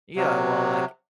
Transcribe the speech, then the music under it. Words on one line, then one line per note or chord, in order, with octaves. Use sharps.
Yeah. Well, like
C3 F#3